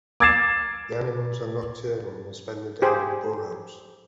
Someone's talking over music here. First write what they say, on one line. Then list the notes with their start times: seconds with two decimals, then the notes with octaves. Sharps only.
The animals are nocturnal and spend the day in burrows.
0.20 D6 G#6 A6 C7 E7
2.82 G4 G#4 C5